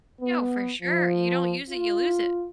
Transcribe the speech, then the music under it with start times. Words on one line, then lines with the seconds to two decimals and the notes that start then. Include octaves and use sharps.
Yo, for sure. You don't use it, you lose it.
0.21 B3
0.82 F3
1.70 F4